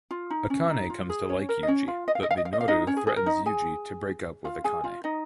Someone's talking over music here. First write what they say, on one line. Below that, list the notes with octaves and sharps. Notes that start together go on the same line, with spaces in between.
Akane comes to like Yuji but Minoru threatens Yuji to break up with Akane.
F4
D#4
C#4
D#4
F4
G#4
C#4 C#5
A#4
D#5
C#4 C#5
F4 F5
D#5
F5
D#5
F5
D#5
F5
D#5
F5
D#4 D#5
C#4 C#5
G#4
G#4
A#4
D#4 D#5
G#4 G#5
F4 F5
G#4 G#5
F4 F5
D#4 D#5